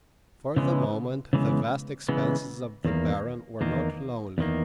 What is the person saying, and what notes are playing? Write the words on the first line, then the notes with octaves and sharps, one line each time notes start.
For the moment the vast expanses of the barren were not lonely.
C#3 E3 G#3 B3
C#3 E3 G#3 B3
C#3 E3 G#3 B3
E2 D#3 A#3
E2 D#3 A#3
E2 D#3 A#3